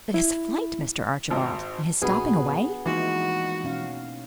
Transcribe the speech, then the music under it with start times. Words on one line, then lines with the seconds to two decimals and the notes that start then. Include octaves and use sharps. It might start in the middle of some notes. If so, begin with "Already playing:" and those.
"But his flight, Mr. Archibald, And his stopping away?"
0.14 E4
1.31 G#1
2.02 A#1 B2 B3 D4 F#4 G#4
2.86 E3 F3 G#3 A#3 D#4 E4 F#4
3.64 B2 C#4 F5